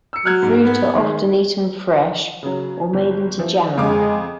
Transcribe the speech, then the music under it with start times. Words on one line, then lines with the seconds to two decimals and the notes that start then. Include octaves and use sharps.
The fruit are often eaten fresh, or made into jam.
0.13 E6 C#7
0.25 F#3 F6 F#6 G#6
0.43 G#2
0.63 B3
0.95 D#3 G#3
2.43 C#3 F#3
2.93 G1
3.39 E3 F3
3.77 F2 G#3 F5 D6